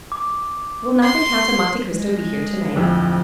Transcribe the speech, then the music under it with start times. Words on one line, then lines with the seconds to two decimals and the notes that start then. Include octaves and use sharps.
"Will not the Count of Monte Cristo be here to-night?"
0.12 D6
1.02 C6
1.91 G#3
2.75 D1 F2